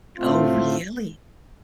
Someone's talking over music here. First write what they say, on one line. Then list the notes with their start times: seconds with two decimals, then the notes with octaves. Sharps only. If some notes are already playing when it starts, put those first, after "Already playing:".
Oh, really.
0.18 A2 A3 C4 F4